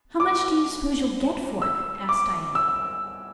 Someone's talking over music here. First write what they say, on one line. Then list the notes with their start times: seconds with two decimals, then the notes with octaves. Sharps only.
"How much do you suppose you'll get for it?" asked Diana.
0.20 D6
1.62 E6
2.09 D6
2.55 E6